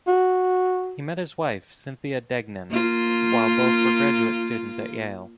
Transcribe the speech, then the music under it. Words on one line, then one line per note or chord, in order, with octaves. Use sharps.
He met his wife, Cynthia Degnan, while both were graduate students at Yale.
F#4
A#3 F4